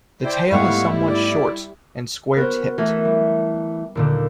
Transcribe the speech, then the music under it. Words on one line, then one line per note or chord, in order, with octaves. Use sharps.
The tail is somewhat short, and square-tipped.
E4 C5 D5 G5
G#2 G3 A3 B3 E4 F5 F#5 C#6
D5
B3 F#4 A#4 C5
E3 A3 A#4
G3
D#2 A#2 D3